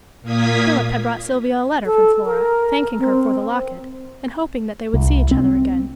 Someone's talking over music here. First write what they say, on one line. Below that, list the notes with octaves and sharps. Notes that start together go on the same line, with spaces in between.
Philip had brought Sylvia a letter from Flora, thanking her for the locket, and hoping that they would see each other again.
A#2 A#3 D#6 G#6 B6
A4
A#4
C4
C2
C4